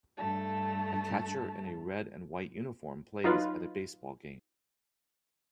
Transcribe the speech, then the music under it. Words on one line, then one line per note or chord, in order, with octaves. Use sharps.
A catcher in a red and white uniform plays at a baseball game.
G2 A3 A5
F#3 D#4 F4 B4